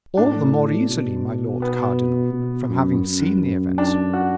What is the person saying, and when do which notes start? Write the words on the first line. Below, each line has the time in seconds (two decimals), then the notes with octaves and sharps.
"All the more easily, my lord cardinal, from having seen the events."
0.17 A2 D4
0.89 B2
1.62 B3
2.33 B2
2.69 F#2
3.06 F#2
3.78 D4
4.13 F#4